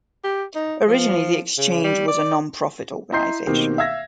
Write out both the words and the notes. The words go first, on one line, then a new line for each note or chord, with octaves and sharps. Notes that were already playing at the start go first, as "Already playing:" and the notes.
Originally, the exchange was a non-profit organization.
G4
D#4
F3
C#3
G3
D5
E4 D#5 A#5 C6 G6 C7
B2 D#3 A#3 C4 G4
E5 F5 E6 G#6 A#6